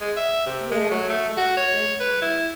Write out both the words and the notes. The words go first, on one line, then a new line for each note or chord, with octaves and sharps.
Yeah, like I said, just grandparents,
G#3
E5
C3
G#3
F#3
A3
F#4
C#5
B4
E4